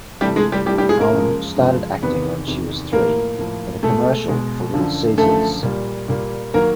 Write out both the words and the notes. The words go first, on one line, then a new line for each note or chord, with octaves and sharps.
Haun started acting when she was three, in a commercial for Little Caesars.
C3 E3 G3 A3 G4
G#3 G#4
G3 G4
C3 E3 G3 A3 G4
G3 G4
G#3 G#4
A#3 A#4
F#2 C#3 F3 G#3
F#2 C#3 F3 G#3
E2 C3 D#3 B3 B4
E2 C3 D#3
A2 F3 A#3 A#4
A2 F3 A#3
B2 G#3 A3 A4
B2 G#3
F#2 D3 F3
F#2 D3 F3 A3 A4
A#2 G3 A#3
A#2 G3 A#3
D#3 F#3 A#3 A#4